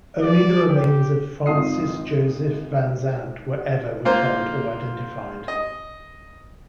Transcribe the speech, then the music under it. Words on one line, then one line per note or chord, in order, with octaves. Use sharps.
Only the remains of Francis Joseph Van Zandt were ever recovered or identified.
D5
G4
G#1 D#4 F4 D#6 C7
A#3 F4 C5
D#5